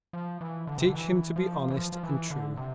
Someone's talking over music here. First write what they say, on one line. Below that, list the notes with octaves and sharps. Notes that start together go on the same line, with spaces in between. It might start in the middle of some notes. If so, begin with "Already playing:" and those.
Teach him to be honest and true.
F3
E3
D3
C3
D3
E3
F3
E3
F3
F3
E3
D3
C3